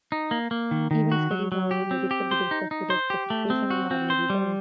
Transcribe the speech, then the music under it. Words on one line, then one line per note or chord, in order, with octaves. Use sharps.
Event studies, however, may differ with respect to their specification of normal returns.
D#4
A#3
A#3
D#3
D#3
F#4
F#3
F#3
G4
C4
G4
C5
D#4
D#4
C5
G4
A3
C4
F#4
C4
C5
G3